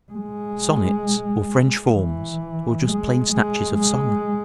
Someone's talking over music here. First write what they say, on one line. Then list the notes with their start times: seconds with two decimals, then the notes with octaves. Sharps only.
"Sonnets, or French forms, or just plain snatches of song?"
0.12 G#3
1.94 E3
2.85 G#3
3.32 G#3
3.77 G#3